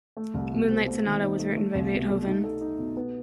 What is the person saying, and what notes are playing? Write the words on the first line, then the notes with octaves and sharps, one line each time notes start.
"Moonlight Sonata" was written by Beethoven.
A3
C2
B2
C4
A3
D#3
D#4
A3
A3
C2
B2
A3
D#4
A4
D#4
B2
B3